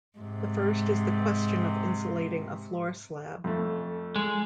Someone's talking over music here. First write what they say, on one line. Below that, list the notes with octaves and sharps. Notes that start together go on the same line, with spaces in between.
The first is the question of insulating a floor slab.
G#2 C3
F2 A3
G#3